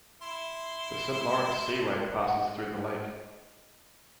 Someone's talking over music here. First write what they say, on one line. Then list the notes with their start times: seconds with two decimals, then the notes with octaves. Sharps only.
The St. Lawrence Seaway passes through the lake.
0.22 E4 C6
2.22 D#5 F#5